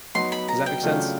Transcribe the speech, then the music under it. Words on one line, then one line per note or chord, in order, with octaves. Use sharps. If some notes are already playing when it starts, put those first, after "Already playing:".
Does that make sense?
F#3 B3 D#4 F#4 C6
B5
A#5
G5
C#3 F#3 A3 D4 F4